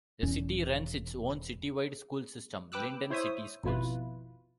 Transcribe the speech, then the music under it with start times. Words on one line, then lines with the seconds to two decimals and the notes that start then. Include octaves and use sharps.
The city runs its own citywide school system, Linden City Schools.
0.23 E1 E2 C#4
2.72 B4 G5 D6 E6 F#6
3.10 E4 C5 C#5 E5 D#6
3.64 G#1 F2 B2 E4 F4 B4